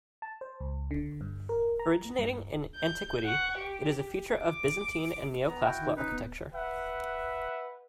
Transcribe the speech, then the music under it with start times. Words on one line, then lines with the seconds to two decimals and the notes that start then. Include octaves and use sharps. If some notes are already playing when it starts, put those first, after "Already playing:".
Originating in antiquity, it is a feature of Byzantine and Neoclassical architecture.
0.22 A5
0.41 C5
0.60 C#2
0.91 D3
1.21 G2
1.49 A#4
1.79 A#5
2.19 G2
2.76 G6
3.25 F#5 C#6
3.58 G4
4.42 D6
5.48 B3 A#5
5.65 E4 F#4 G5
5.79 D#3
5.96 C#4 D#4 B4
6.11 B3
6.54 B4 E5 F#5